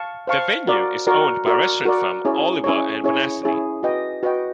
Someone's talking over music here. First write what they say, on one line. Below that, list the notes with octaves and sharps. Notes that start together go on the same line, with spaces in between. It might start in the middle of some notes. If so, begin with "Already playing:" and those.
The venue is owned by restaurant firm Oliver and Bonacini.
Already playing: F5 A5 C#6
C5 F5 A5 C#6
F#4 A#4 D5
F#4 A#4 D5
F#4 A#4 D5
F#4 A#4 D5
C#4 E4 G#4 C#5
C#4 E4 G#4 C#5
C#4 E4 G#4 C#5
C#4 E4 G#4 C#5
F#4 B4 D#5 G5
F#4 B4 D#5 G5